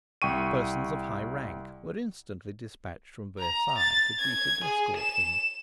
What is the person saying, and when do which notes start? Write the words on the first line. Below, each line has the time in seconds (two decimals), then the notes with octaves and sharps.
Persons of high rank were instantly despatched from Versailles to greet and escort him.
0.22 C2 G5 C#6 D#7
3.39 A#5
3.77 A6
4.19 G#6
4.64 G#4
4.96 E7